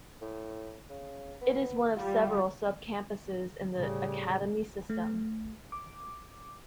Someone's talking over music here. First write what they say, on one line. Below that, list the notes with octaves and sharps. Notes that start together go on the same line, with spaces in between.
It is one of several sub-campuses in the Academy system.
A2
C#3
B3
G3 F4
A2 C#3 G3
A3
D6